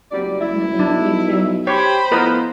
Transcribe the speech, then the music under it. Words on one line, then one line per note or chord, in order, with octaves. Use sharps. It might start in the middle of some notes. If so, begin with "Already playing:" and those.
Yeah, definitely, you too.
F#1 F#3 G3 D5
E4
B1 D4
G4 C5 C#5 B5
A2 F3 B3 A#4 B4 D#5